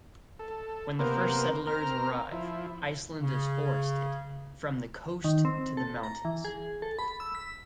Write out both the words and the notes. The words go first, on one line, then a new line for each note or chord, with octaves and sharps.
When the first settlers arrive Iceland is forested "from the coast to the mountains".
A4
C3 A#3 B3 A#4 C5
C4 A#4 A#5 F6
F3 E4
C#3
D#3
C4
A4
A#5
E3
G#4
A4
B5
E6
B6